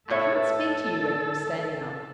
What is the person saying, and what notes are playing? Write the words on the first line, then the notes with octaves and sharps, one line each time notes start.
I can't speak to you when you are standing up.
A2 A4 C#5 E5